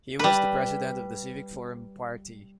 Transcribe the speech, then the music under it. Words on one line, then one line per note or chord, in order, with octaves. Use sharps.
He was the President of the Civic Forum party.
G3 B4